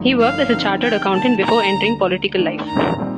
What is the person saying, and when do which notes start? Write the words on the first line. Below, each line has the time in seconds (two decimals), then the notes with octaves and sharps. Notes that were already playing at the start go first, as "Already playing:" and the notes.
He worked as a chartered accountant before entering political life.
Already playing: G1 G2 F3 A3 D#4
0.20 F5
0.52 D3 F3 C4 D#4
0.83 G5
1.13 C3 D#3 G3 A#3 A5
1.44 A#5
1.74 D2 D3 G3 A#3
2.37 D#3 A3 D4
2.68 A#5
2.99 A#2 G3 C4 D#4